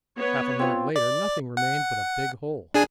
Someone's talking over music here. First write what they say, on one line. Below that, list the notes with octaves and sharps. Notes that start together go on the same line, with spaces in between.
Half a minute later nothing remained but a big hole.
B3 C#5
C4 F4
D5
F#5
D4 G#4 G#5